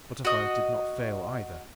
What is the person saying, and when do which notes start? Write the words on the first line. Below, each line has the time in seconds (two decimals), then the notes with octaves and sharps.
Butterflies did not fail either.
0.25 F#4 D#5